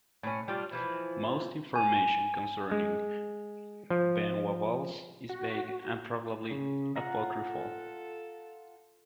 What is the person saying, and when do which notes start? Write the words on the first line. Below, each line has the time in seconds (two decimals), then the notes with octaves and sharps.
Most information concerning Ben Wa balls is vague and probably apocryphal.
0.23 A2 C#4
0.48 G3 D4 F4
0.71 E3 F3 E4
1.75 G#5
2.71 G#3
3.90 F3
5.29 F#4
6.51 C#3
6.96 F4 F#5 A#5
7.44 A4